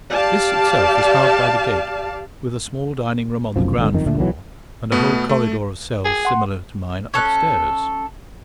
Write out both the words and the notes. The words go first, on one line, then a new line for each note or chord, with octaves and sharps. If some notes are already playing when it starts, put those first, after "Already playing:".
This itself is hard by the gate, with a small dining-room on the ground floor and a whole corridor of cells similar to mine upstairs.
G4 D5 F5 A5
F1 B1 F#2 F3
G#1 F2 D3
F#1 F2 D#3
D2 A#2 D3 A3
B1 E3 F#3
B2 A3 B3
A3
G#4
F#5 C6
C#4 A4 F#6